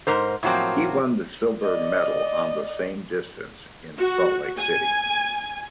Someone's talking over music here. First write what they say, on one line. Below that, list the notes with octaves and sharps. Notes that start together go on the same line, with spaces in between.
He won the silver medal on that same distance in Salt Lake City.
G#2 A#4 C5
A2 F3 F#3 A#3 C4
D5 D#5
F#4
G#5